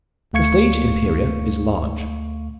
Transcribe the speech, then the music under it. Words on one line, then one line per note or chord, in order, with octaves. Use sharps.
The stage-interior is large.
D2 A3 F5 C#6 G#6 C#7